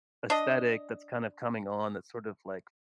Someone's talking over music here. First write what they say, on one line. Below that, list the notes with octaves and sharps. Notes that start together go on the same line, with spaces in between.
aesthetic that's kinda coming on that's sort of, like
D4 D#5